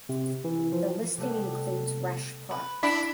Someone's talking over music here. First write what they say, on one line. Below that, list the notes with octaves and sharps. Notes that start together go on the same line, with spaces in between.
The listing includes Resch Park.
C3
E3
F3
C3 G3 A3 B3
B4
D4 E4 B5